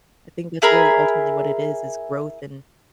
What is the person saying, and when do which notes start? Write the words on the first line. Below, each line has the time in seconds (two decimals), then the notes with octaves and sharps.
I think that's really ultimately what it is, is growth, and
0.62 E4 G#4 A#4 B5